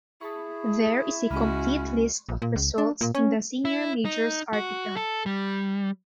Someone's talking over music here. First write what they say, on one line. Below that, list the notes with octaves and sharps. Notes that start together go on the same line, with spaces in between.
There is a complete list of results in the senior majors article.
E4 G#4 A5 B5 C#6
C#2 G#3 C#4 F#4 B5 F6
A#1
A#2
C#2
D4
A#2
C#4
E4
D#4
F#4
A4
G3